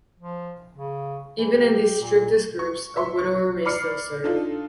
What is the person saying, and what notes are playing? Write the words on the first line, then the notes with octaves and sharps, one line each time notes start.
Even in these strictest groups, a widower may still serve.
F3
C#3
E3
G4
A#2
C#6
E5 C6 C#6
C#6
D5 B5 D6 F6 C7 C#7
D4 D#4 F4 A4